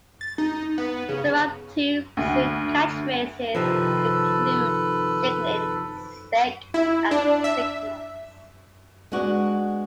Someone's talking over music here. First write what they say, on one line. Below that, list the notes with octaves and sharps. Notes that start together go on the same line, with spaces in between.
Some Of Tubes' Catchphrases include "Sickening" "Sick" and "Sickness".
A6
D#4
B3
C#3
D2
C3 D#3 F3 A4 B4
E4
D4
E5
G#3 B3 D4 F#4